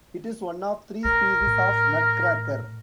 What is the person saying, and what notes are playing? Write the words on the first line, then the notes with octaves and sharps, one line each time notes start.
It is one of three species of nutcracker.
A#1 A#4
A2